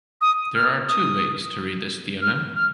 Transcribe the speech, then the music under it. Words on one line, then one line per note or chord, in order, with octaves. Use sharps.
There are two ways to read this theonym.
D#6
F6
D#6
F6
F6